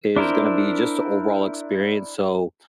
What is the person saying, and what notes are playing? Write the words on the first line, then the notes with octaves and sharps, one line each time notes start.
is gonna be just the overall experience. So
D4 E4 A#4 C5